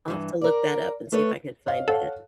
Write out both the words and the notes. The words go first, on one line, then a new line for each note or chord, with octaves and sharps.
I'll have to look that up and see if I can find it.
G2 E3
A#4 D5
A3 A4 B4 C#5
C#5 D#5 F5
A4 C#5 F5 F#5